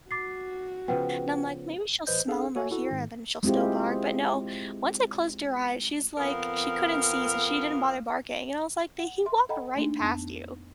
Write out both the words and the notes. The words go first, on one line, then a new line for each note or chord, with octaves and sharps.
and I'm like, "Maybe she'll smell 'em or hear 'em, then she'll still bark," but, no, once I closed her eyes, she's, like she couldn't see, so she didn't bother barking, and I was, like, "They he walked right past you."
F#4 D6 A6 C7
C#3 F3 B3 B4 F#5 G5
A1 B4 C5 D#5 G6
C4 D4 G#4 A4 F5
A#3 F#4 A4 C#5 E5 G#5
E4 F#4 A4
G#2 D#3
G#3 C4 E4 F4 G4
F2 B3 A#4 F5
F#5
E5 C6
A4 D#5 F#5 G5 A#5 B5
A3 A#3 D4 D#4
F2 B3 A5